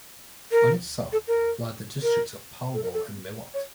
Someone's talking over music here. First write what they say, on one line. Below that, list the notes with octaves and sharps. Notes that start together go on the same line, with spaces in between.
On its south, lie the districts of Palwal and Mewat.
A#4
A4
A#4
A#4
A4
A#4
A4
C#5